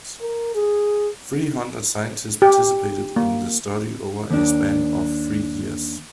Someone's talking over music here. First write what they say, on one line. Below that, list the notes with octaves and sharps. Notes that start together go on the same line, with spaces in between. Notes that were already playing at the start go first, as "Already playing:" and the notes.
Three hundred scientists participated in the study over a span of three years.
A#4
G#4
G4
A#3
D#2 D4